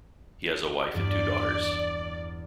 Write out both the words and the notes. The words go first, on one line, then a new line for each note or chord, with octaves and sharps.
He has a wife and two daughters.
E2 G2 D5